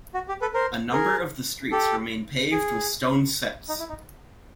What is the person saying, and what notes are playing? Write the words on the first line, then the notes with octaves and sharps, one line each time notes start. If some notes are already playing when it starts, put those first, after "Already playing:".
A number of the streets remain paved with stone setts.
F#4
G4
A4 B4
A#4 C5
G#4 A#4
G4 A4
G#4
D#4
E4
D#4